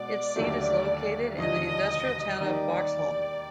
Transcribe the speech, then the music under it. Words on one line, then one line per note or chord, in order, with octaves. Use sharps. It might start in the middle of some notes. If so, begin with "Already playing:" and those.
Its seat is located in the industrial town of Boxholm.
Already playing: B2 G#3 D5
D#2 D3 F#3 A3
E1 D#2 D3 F3 D#5
D#3 G3 A#3 D#4 D5